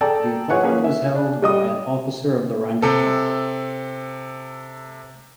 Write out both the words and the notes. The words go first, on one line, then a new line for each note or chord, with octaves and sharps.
The appointment was held by an officer of the rank of Captain.
G#4 A4 D5 G5 A5 A#5
G#4 B4 C#5 F#5 C#6
A#3 C#4 G#4 B4 C#5
E5
D4
G3 D#5 D#6
C3 A4